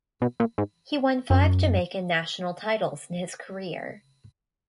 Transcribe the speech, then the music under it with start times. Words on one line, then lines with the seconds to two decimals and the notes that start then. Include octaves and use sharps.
He won five Jamaican national titles in his career.
0.22 B2
0.40 A#2
0.58 G#2
1.30 F#2